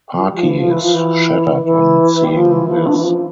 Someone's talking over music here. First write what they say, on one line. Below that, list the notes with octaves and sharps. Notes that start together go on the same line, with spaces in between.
Pakhi is shattered on seeing this.
F3
G3
F3
E3
F3
E3
F3
E3
E3
G3
F3
E3
F3
E3
D4
E3
F3